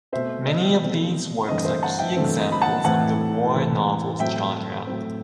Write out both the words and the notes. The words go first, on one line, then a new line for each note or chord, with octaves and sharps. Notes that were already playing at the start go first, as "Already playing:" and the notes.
Many of these works are key examples of the war novel genre.
B2 A3 C4 C5 E5
D#5
B2 A3 C4
G2 E3 A3 C4 D#5
C5 E5
F#5 A5
E5 G5
G2 E3 A3 C4
D#5
B5
F#5 A5
A2 E3 A3 C4 F#5 A5
A2 E3 A3 C4
A2 F#3 C4 E5 G5
A2 F#3 C4